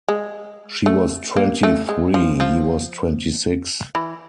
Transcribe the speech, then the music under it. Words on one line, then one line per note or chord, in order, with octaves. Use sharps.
She was twenty-three; he was twenty-six.
G#3
A3
A#3
A3
G#3
F3
F3
E3